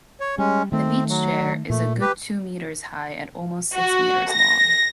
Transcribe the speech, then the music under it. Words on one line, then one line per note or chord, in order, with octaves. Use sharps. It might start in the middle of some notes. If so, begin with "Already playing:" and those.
The beach chair is a good two meters high and almost six meters long.
C#5
G3 G#3 C#4
D#3 A3 C4
F#3
A#2 A3
G4 B4
F#4
A#6